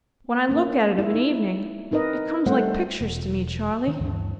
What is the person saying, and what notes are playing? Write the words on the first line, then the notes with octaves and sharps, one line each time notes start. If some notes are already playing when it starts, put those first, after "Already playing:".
When I look at it of an evening, it comes like pictures to me, Charley.'
A#3 C#4
E4
D#4
C4 D#4 A#4 B4 D#5
G3 A3 C5 F#5
E1
D#3
D2 G2 D3 E3